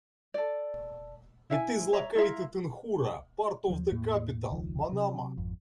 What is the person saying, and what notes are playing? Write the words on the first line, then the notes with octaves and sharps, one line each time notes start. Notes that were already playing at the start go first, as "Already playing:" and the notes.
It is located in Hoora, part of the capital, Manama.
A4 D5
E4 E5 F5 G#5
C#5 E5 A#5
E4 F4 A#4 E5
D#2 F3 F#3
E2 A2 A#3
E1 C#2 D#3 F3
C3 F#3
G#1 F2